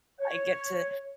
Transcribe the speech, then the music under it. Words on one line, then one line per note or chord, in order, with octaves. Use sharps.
I get to
C#5